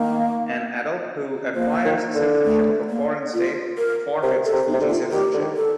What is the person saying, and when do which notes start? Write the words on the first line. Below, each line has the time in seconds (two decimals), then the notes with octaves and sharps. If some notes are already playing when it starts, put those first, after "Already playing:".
An adult who acquires citizenship of a foreign state forfeits Fiji citizenship.
Already playing: D#3 A#3
1.55 F3 A#3
1.85 D#3
2.15 D3
2.45 A3
2.90 A#3
3.34 F4
3.78 A#4
4.23 C3 A#4
4.45 A4
4.53 C3
4.67 D#4
4.73 C3
4.81 D3
4.89 F4
5.11 D#3 G4
5.34 D3
5.41 D#3
5.56 A4